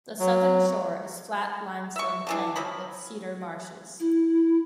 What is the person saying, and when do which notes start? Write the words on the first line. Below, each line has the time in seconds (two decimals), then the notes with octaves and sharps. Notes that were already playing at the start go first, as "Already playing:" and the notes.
The southern shore is flat limestone plain, with cedar marshes.
0.20 F#3
1.96 E5 C#6
2.27 D3 E3 D4
2.56 F3 F#3 B5
4.00 E4